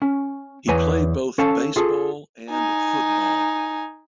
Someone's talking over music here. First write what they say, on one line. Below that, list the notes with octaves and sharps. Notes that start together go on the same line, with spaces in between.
He played both baseball and football.
C#4
E2 B4 C#5 G#5 A#5
C#4 A4 F5 A5
F4 G#4 A4
D#4 G#5